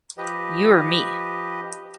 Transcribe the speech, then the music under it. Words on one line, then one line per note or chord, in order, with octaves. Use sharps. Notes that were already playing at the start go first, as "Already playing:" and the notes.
You or me?
F3 G4 B4 D#5